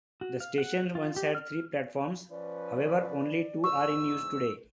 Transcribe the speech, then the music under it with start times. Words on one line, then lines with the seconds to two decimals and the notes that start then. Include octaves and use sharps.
The station once had three platforms, however only two are in use today.
0.21 F#4
0.40 F5
0.58 F#5
0.95 F4
1.16 G4
1.35 F6
2.31 F3 C#4 B4 D5
3.64 E2 G#2 C#6 E6